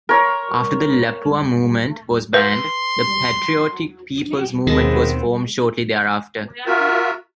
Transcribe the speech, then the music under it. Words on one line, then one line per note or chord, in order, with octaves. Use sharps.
After the Lapua Movement was banned, the Patriotic People's Movement was formed shortly thereafter.
A#4 C#5
B4 C6
D#2 B2 D#3 G#3 B3 C4
F4 F#4 A#4 E5